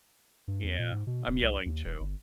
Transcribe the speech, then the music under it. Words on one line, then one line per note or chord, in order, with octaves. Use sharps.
Yeah, I'm yelling too.
G2
E2
A#2
G#2
B2
D1
C2
D#2
E1
G1